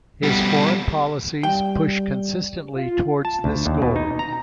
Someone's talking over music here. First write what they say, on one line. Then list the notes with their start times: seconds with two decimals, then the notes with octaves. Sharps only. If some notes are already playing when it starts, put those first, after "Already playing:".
His foreign policies pushed consistently towards this goal.
0.23 B2 G3
1.43 G3 G5
2.76 F4
3.25 A5
3.44 D2
3.66 D#2
3.82 B2
3.96 D#4
4.19 A#5